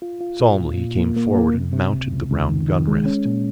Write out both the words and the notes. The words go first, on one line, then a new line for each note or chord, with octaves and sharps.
Solemnly he came forward and mounted the round gunrest.
F4
F4
A#2
A#2
A#2
A#3
A#3
A#3
C3
C3
C#2
C#2
C#2
D#3
D#3
G#3
C#4
A#2